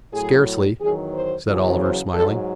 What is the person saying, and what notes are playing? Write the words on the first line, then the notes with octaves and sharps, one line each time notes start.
"Scarcely," said Oliver, smiling.
A2 F#3 G#4
E2 D#3 F#3 G#4
C5
E2 C#3 F#3
C5
G#2 F#3 A4